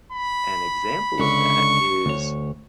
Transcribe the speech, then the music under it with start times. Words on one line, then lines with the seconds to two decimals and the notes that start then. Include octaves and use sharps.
an example of that is,
0.12 B5
1.19 C#2 D3 C#6
2.06 D2 C#5